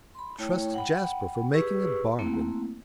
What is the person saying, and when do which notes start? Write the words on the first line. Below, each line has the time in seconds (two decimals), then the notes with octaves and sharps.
Trust Jasper for making a bargain!
0.15 B5 C6
0.39 A3 E4 C#5 G5
0.74 F#5 G5 B5
1.54 G4 G#4 B4 C#6 E6
2.19 A3 A#3 C4 E4